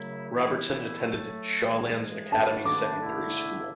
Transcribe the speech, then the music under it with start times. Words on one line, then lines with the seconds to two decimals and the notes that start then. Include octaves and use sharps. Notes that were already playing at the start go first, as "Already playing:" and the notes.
Robertson attended Shawlands Academy Secondary School.
Already playing: F#2 C#3 F#3 A3 E4
0.32 F#2 E3 B3 E4
0.98 A2 F#3 A3
1.66 G#2 E3 G#3
2.32 E3 A3 D4 F#4 A5
2.65 D6
3.00 D3 A3 E4